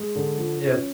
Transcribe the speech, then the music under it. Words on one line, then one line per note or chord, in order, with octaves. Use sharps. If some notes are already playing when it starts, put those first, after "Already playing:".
Yeah, t
Already playing: G#3
D3
F3
C#4